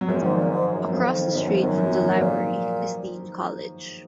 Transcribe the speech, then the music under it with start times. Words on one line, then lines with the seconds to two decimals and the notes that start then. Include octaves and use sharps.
Across the street from the library is Dean College.
0.01 F#3
0.08 F#2 F3 G#3
0.22 G#2 D#3 F#3
0.36 A#2 F3
0.50 G#2
0.68 G#2
0.72 F#2
0.88 F#3
0.92 F2 F3
1.07 D#3
1.21 D#3
1.35 F#2 F3
1.48 F2 F3
1.61 F#2 D#3 F#3
1.78 F3
1.92 D#3 F#3
2.06 F#3 A#3
2.20 A#2 F3 G#3